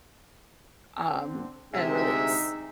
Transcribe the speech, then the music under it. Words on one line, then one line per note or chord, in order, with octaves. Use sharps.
um, and release,
D3 C4
D2 C3 G#3 D#4 E5